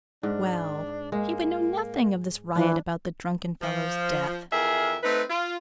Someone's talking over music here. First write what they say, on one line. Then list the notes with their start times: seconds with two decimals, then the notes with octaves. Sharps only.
'Well! he would know nothing of this riot about the drunken fellow's death.
0.23 G#2 D4
1.12 G#3 A#3
2.55 E3 D4
3.62 F3
4.52 F2 E3 G#4 A#4 E5
5.03 A3 C4 D#4 B4
5.30 F4